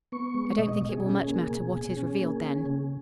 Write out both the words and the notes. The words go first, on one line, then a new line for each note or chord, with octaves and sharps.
"I don't think it will much matter what is revealed then."
B3 C#6
G#3
B2 D#5
B2
G#4
C#4
G#4
A#3
B2
B2
C#4
A#3
C#4
C#3